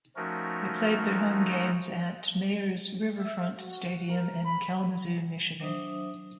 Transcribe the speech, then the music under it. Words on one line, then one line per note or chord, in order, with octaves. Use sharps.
They played their home games at Mayor's Riverfront Stadium in Kalamazoo, Michigan.
F3 A3 C#4 D#4 F#4 A#4
E5
F#4
A#4
B5
F#3 D4 C5 E5 D#6